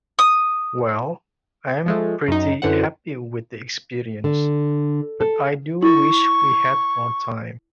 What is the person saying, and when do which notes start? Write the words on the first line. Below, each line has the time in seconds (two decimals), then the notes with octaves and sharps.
Well, I am pretty happy with the experience, but I do wish we had more time.
0.19 D#6
1.86 F3 G#3 A3
2.28 F#2 D#4
2.62 F#2 D3 E3 C5 F#5
4.24 D3
5.21 A4
5.83 E4 C#6